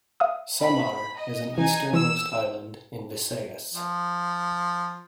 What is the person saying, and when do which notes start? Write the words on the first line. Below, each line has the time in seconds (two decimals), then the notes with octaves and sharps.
Samar is an easternmost island in Visayas.
0.20 E5 F5 D#6
0.61 B5
1.18 D#5
1.58 E3 D#4 G#5
1.93 E3 E6
3.72 F3